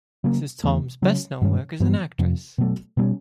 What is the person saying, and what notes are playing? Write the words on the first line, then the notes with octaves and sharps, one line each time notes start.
This is Tom's best known work as an actress.
C#3 F#3 A#3
E2 C#3 E3 A3
C#3 F#3 A#3 C#4
G2 D#3 G#3 C#4
G2 E3 G3 B3
F2 C3 F3
B2 F#3 A3
B2 G3 A#3 C#4